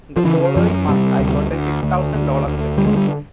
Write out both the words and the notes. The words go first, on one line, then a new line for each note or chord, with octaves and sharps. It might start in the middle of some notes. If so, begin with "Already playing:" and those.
The following month I got a six thousand dollar cheque...
F3
C#3 E3
F#2 F3
C3 G3
D2
D2
D2
D2
D2
D3 G3
G#3
G3